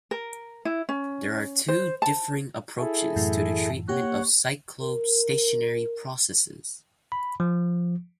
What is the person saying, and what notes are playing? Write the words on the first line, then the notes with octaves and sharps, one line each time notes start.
There are two differing approaches to the treatment of cyclostationary processes.
A#4
E4
C#4
C5
A5
E4 G#4 A4
F#2 A2 E3
A#3 G4 C#5 F#5
A#4
B5
F3